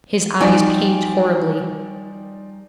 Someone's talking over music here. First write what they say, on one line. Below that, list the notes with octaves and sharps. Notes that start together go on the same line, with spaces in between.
His eyes pained horribly.
F3 G3 D#4 D5 G5 G#5